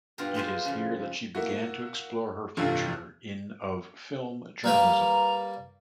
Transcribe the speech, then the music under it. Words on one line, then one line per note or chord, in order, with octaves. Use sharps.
It is here that she began to explore her future in of film journalism.
G2 B2 F4 G4 A#5
G#3 F4 B4 C5
F2 C#3
A#3 E4 F#4
A1 G2 C3 F4 A4
G3 A#3 B4 A#5